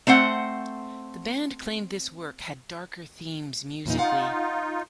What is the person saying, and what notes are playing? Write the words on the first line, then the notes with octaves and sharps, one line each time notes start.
The band claimed this work had darker themes musically.
A3 C4 C5 F#5
E2 A#2 D#4
D#4 F4 F5 F#5